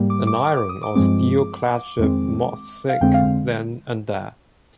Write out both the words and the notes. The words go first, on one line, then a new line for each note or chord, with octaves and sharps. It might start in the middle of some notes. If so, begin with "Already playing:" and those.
An iron or steel-clad ship must sink then and there.
Already playing: G#2 G3 A#3
D6
D6
D6
D6
D#6
D6
G2 F3 G#3 C4 D6
F2 D#3 G#3 C4
F5
F2 D3 G#3 C4 G5
F5